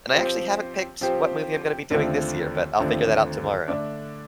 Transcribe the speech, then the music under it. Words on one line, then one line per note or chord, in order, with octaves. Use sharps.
and I actually haven't picked what movie I'm gonna be doing this year, but I'll figure that out tomorrow.
F3 C4 G4 C5
F3 C4 G4 C5
D#2 D3 F3 A3 C4
D#2 D3 F3 A3 C4
D3 A3 D4